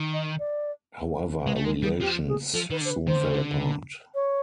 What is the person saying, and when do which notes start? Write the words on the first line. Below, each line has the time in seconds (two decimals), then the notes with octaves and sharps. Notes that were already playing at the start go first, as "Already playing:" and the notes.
However relations soon fell apart.
Already playing: D#3
0.14 D#5
0.39 D5
1.47 G#3 B4
1.56 A3
1.65 G#3 A#4
1.82 G3 G#4
2.00 F3 G4
2.28 G#4
2.53 F3 A4
2.70 D#3 B4
2.81 D3
2.85 C5
2.90 B4
3.07 D#3 C5
3.16 D3
3.26 C#3
3.34 D3
4.15 C#5